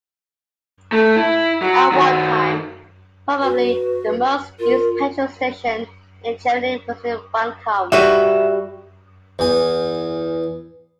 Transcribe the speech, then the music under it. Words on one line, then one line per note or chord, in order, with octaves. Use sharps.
At one time, probably the most used petrol station in Germany was in Wankum.
A3
E4
F#3
D#3 F#4
F#4 B4
F4 A#4
G3 F#4 B4 E5
E2 G#5